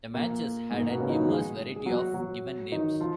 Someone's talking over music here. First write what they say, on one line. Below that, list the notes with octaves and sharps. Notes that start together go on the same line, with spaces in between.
The Manchus had an immense variety of given names.
A#2 A#3
G#2 G#3
A#2 A#3
B2 B3
C#3 C#4
D#3 D#4
F#3 F#4
G#3 G#4
G#4
F#3 F#4
F#3 F#4
D#3 D#4
F3 F4